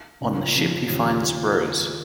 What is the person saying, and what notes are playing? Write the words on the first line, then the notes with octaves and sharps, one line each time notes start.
On the ship he finds Rose.
C#2 C#3 F3 A#3
F2 C#3 F3
D#2 C#3 F3